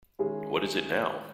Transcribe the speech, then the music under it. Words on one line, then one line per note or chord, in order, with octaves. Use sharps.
What is it now?
D#3 G#3 C#4 E4 G#4